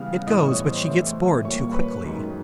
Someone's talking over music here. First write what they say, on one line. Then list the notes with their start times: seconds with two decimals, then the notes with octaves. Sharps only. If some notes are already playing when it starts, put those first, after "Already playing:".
It goes, but she gets bored too quickly.
Already playing: C#3 E3 G3 B3 F5 F6
0.27 A2 E3 G3 B3 D#5 D#6
0.46 C#5 C#6
0.62 C#6
0.66 C5 C6
0.86 C3 E3 A3
1.44 A#2 G3 A#3 C#5 C#6
1.74 B4 B5
2.04 F#2 D#3 G#3